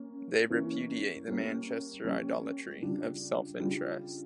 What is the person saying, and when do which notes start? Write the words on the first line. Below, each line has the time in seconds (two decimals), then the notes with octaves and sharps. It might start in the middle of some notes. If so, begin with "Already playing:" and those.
They repudiate the Manchester idolatry of self-interest.
Already playing: A#3 C#4
0.49 E3 A#3 C#4
1.28 G3 A#3 C#4
2.05 G3 A#3 C#4
2.82 C#3 G3 D4 F4
3.60 C#3 G3 D4 F4